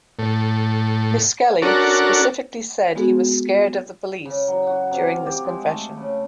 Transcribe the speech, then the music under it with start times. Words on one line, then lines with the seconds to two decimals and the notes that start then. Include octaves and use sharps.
Misskelley specifically said he was "scared of the police" during this confession.
0.19 A2
1.62 C#4 D4 F#4 A4 A#4
2.95 G#3 B3 F#4 G#4 A4
4.26 C#3
4.48 F#3
4.67 F#4
4.91 C3
5.06 F5
5.26 G4
5.45 G#3
5.66 A3
5.97 C#3